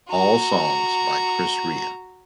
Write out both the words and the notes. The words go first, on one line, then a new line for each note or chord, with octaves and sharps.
All songs by Chris Rea.
F#4 A#5